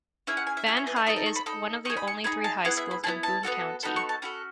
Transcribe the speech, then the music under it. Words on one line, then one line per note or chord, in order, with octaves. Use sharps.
Van High is one of only three high schools in Boone County.
C#4 E4 G#4 E5
F#5
G#5
E5
C#4 E4 G#4
C#5
B4
D#5
D#4 A4 E5
D#5
C#6
B5
D#4 A4 B5
D#4 G#4 C#6
B5
C#6
D#4 G#4 B5
A5
B3 E4 G#4 F#5
E5
B5
B3 E4 G#4 A5
A5
B3 D#4 F#4 A4
B3 D#4 F#4 A4 B5
C#6
A5
C#4 F#4 A4 B5